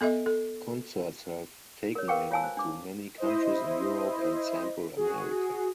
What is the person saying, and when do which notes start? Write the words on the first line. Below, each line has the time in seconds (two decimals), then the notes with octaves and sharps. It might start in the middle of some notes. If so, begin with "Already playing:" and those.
Concerts have taken him to many countries in Europe and Central America.
0.01 B3 A4 D#5 E5
0.26 A4
1.95 A#4 C#5
2.08 A#4 B4 F5 G5 C#6 D6
2.31 F4 C#5 F5 G#5 A5 E6
2.44 C5
2.57 D4 D6
3.18 E4 C5 D#5
4.97 F#4 G#4